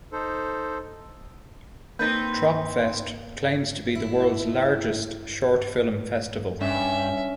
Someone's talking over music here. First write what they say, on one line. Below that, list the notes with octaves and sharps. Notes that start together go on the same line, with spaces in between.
Tropfest claims to be the world's largest short film festival.
D#4 A4 C5
A#3 C4 D#4 B4 G6 A6
E4
G2 C#4 E5